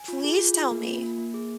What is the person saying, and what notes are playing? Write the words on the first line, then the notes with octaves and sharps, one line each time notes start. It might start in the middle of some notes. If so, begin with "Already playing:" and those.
Please tell me.
Already playing: G#5
F4
G#4
F4
G#4
A#3
F4
A#3
A#3
G#4